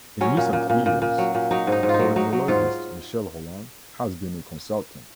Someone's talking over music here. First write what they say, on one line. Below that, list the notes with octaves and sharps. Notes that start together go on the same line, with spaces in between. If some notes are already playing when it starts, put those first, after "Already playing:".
In recent years, oenologist Michel Rolland has been a consultant.
F#3 C#4
A#2
A#2
A#2
A#2
A#2
F#3
A#2
F#3 D#4
G#2 D#4
G#2
F4
D#4
F#3
F#3 D#4
F#3
G#2 F4